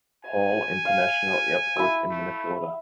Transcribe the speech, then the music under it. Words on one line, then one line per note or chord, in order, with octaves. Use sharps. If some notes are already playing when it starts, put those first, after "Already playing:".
Paul International Airport in Minnesota.
G#5
F5
E4 E6
A3